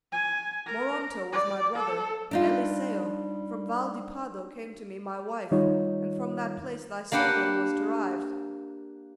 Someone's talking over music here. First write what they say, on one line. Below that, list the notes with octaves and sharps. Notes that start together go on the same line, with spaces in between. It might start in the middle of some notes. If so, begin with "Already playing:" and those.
Moronto was my brother, and Eliseo; From Val di Pado came to me my wife, And from that place thy surname was derived.
G#5
A#4
D5
A4
G3 D4 D#4 F4
D#3 G3 D#4 F4 C#5
A#3 D4 G4 B4 F#5